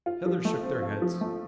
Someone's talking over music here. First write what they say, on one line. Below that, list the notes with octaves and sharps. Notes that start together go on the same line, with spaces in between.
The others shook their heads.
F4
F3
A3
C4
F4
F3
A3